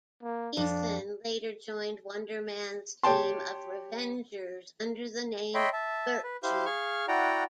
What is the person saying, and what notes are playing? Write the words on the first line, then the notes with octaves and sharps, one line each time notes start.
Ethan later joined Wonder Man's team of Revengers under the name Virtue.
A#3
F2 D4
G4 C#5 G5 A5 C6
C#5 D#5 E5 G5 B5 C6
E5 A5
B4
E4 G4 C5 F5
G#4 F5 C#6 F6
E4 F#4 D5 F#5 G5 A#5